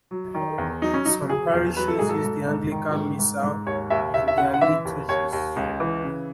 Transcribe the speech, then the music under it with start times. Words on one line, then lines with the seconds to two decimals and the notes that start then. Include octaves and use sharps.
Some parishes use the Anglican Missal in their liturgies.
0.11 F#3
0.35 D#3
0.58 E2
0.82 F#3 D#4
0.94 C#4
1.05 F#3 D#4
1.30 F#3 G#4
1.53 E2
1.77 F#3 B4
1.88 A4
1.99 G#2 G#4
2.09 A4
2.24 G#2
2.48 G#2
2.72 D#3
2.95 G#2
3.19 G#2
3.43 G#2
3.67 D#2 C#5
3.90 D#2 E5
4.14 D#2 E5
4.28 E5
4.38 C#3 F#5
4.54 F#5
4.61 E3 E5
4.85 D#2
5.09 D#2 C#5
5.33 D#2
5.56 C#2
5.80 E3
6.04 C#3